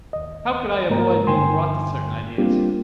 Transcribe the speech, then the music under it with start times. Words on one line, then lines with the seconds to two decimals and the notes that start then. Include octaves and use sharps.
How could I avoid being brought to certain ideas?
0.13 D#2 D#5
0.89 G#2 G#3 A#3 A#4 A#5
1.27 G2 D3 G5 G#5 C6
2.38 G3 A#3 C4 D4 F4 G4